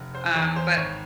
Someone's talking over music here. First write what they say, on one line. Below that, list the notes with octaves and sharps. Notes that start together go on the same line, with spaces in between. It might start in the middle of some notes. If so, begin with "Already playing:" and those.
um, but
Already playing: F1
C5
E2 E3 C#5
C5
G#1 C#5